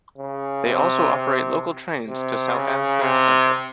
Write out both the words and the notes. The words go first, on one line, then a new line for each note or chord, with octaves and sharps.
They also operate local trains to Southampton Central.
C#3
C3
C3
C3
C#3
C3